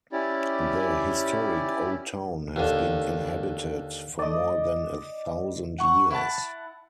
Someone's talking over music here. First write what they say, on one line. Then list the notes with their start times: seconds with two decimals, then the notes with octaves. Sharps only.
The historic old town has been inhabited for more than a thousand years.
0.12 C#4 E4 G4 D5
2.56 D#2 D3
4.19 D5 D#5
5.78 F#5 C#6
6.10 E4 F#5 A5